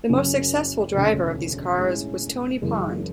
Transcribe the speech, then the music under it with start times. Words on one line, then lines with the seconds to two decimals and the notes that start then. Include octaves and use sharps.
The most successful driver of these cars was Tony Pond.
0.09 F#1 F#2 C#3 F#3 C#4
0.94 E1 D2 C#3
1.78 A2 G#3 C#4 E4
2.62 F#1 F#2 E3 G#3